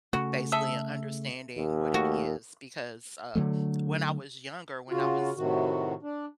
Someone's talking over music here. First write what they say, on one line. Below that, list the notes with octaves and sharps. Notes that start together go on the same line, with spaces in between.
basically understanding what it is because, uh, when I was younger, when I was
C#3 A3 F#4
G#4 A4 E5
D#2
A3 F#4
D3 E3 F#3 A3
C#3 F4 F#4
A2 C3 D#3 F#4
D4